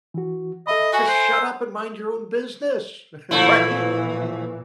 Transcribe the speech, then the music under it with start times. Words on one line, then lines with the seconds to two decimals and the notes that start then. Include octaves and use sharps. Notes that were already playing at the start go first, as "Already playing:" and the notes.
"Just shut up and mind your own business," right?
0.14 E3 F#4
0.67 A4 D#5 E5 B5
0.93 F#4 G#5
1.08 C5
1.32 A#5 E6
3.31 A#2 E3 F3 A3 E4